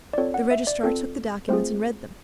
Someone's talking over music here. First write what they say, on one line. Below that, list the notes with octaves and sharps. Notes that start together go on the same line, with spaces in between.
The registrar took the documents and read them.
D5
C4 F4 A4 C#5
F#5
E5
D5
C4 F4 A4
A3 C4 F4 G#4 C5